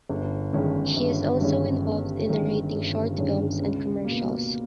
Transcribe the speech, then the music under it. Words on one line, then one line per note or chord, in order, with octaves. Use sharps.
He is also involved in narrating short films and commercials.
G1
G2 D#3 G#3 C#4
G1
G2 D#3 G#3 C#4
G1
G2 D#3 G#3 C#4
G1
G2 D#3 G#3 C#4
C#2
B2 A#3